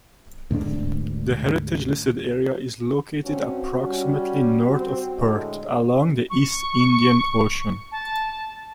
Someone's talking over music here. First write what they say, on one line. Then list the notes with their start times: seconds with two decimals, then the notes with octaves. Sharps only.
The heritagelisted area is located approximately north of Perth, along the East Indian Ocean.
0.51 D2 G#2 G#3 D4
3.24 G2 C4 C#4 F#4
3.84 G3 C#4
4.73 C4
5.17 A2 D3 G#3
6.30 C#6
7.92 A5